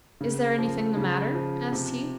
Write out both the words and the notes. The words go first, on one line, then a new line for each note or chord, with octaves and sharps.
Is there anything the matter?' asked he.
C#3
F3
C#3
F3
C3